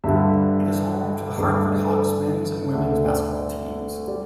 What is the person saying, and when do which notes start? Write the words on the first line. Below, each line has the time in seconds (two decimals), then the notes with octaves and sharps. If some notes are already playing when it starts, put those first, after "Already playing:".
It is home to the Hartford Hawks men's and women's basketball teams.
0.04 G2 D3 G3 E5
1.38 G2 D3 A3 B4
1.72 A4
2.73 D2 D3 A3 E5
3.07 D5
4.07 G3 D5